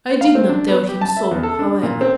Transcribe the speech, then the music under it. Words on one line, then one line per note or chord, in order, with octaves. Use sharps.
I did not tell him so however.
F5
C4
D4
B3
G4
A5
E5
E2
A4
D4
A#2
C4